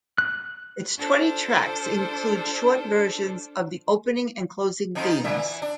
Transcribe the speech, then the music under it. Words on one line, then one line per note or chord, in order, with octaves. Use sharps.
Its twenty tracks include short versions of the opening and closing themes.
F#6
D4 F4 A4 C5
F2 F3 D#4
D#4
A#2 D3 E5
E3
D4